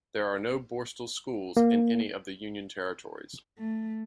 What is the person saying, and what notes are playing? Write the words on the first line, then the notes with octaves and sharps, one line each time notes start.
There are no borstal schools in any of the union territories.
A#3
A3